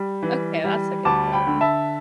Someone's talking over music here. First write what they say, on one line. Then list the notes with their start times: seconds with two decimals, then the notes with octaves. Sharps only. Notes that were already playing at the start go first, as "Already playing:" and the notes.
Okay, that's a good thing.
Already playing: G3
0.23 E3
0.64 G3
1.05 D2 A5 D6
1.32 G5 B5
1.47 D3
1.61 E5 A5